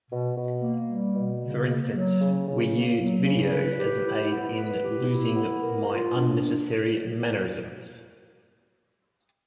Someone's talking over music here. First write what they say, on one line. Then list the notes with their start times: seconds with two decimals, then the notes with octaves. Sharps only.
For instance, we used video as an aid in losing my unnecessary mannerisms.
0.09 B2
0.34 B2
0.61 A#3
0.87 G3
1.14 B2
1.41 C#3
1.66 A#3
1.92 F#3
2.20 C#3
2.45 C#3
2.71 A#3
2.97 F#3
3.24 C#3
3.51 B4
3.77 G4
4.04 E4
4.30 B3
4.56 B4
4.82 G4
5.08 E4
5.34 B3
5.61 A#4
5.88 F4
6.14 D4